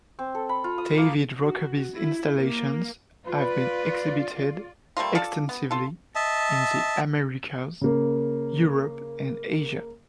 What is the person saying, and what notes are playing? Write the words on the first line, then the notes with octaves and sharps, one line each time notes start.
David Rokeby's installations have been exhibited extensively in the Americas, Europe and Asia.
C4
A4
B5
F4
D#6
A#3
F#4
E4
A#3
F4 B4 D5
G3 A3 A#3 F4
F4 A4 D5 A5
B3
F4 A4
D#5 E5 A5
C#3 A#3